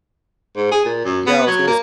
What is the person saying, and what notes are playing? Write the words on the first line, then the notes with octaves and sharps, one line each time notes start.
Yeah. I was gonna s
G#2
G#4
A#2
F#2
B3
F#3
A#3